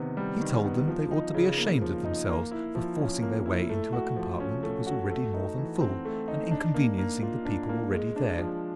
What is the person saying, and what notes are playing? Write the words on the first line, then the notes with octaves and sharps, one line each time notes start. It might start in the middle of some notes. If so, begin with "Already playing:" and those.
He told them they ought to be ashamed of themselves for forcing their way into a compartment that was already more than full, and inconveniencing the people already there.
Already playing: C3 D#3 B3
G3
D#3
B3
F3
D#4
C#3
A#3
F3
D#4
A#3
E4
F3
C#4
A#3
E4
A3
F#4
F3
C#4
A3
F#4
A3
D#4
E3
C4
A3
D#4
D4
A#3
A#3
F4
D4
A#3
G#3
D4
F3